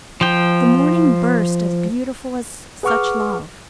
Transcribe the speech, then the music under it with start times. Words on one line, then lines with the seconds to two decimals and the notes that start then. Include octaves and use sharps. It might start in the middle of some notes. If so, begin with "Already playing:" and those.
The morning burst as beautiful as such love.
0.21 F3 G5
2.83 G#4 B4 F#5 C#6 D6 F6